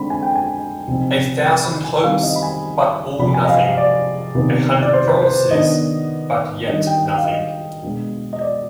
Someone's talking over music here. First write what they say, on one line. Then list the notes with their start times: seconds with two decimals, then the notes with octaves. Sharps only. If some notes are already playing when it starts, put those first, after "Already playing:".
A thousand hopes, but all nothing; a hundred promises but yet nothing.
Already playing: D3 G#3 C4 D#4 B5
0.10 G#5
0.23 G5
0.36 G#5
0.88 C3 F3 C4 D#4
1.46 B5
1.65 B5
1.84 G#5
2.03 D#3 G3 C4 D#4 F5
2.23 D#5
2.36 B5
2.43 G#5
3.19 C3 F3 C4 B5
3.34 G#5
3.44 D#5
3.49 F5
3.63 F5
3.77 D5
4.35 C3 D#3 B3
4.82 D5
4.93 C5
5.08 B4
5.22 C5
5.51 D#3 B3 D4 D#5
6.67 D#3 G3 D4 D#5
6.87 G5
7.06 G5
7.18 F5
7.25 D#5
7.83 B2 G#3 B3 D4
8.33 D#5
8.41 D5